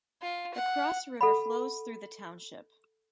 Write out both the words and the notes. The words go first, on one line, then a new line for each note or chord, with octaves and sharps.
The Cross River flows through the township.
F4
F#5
A4 F#5 B5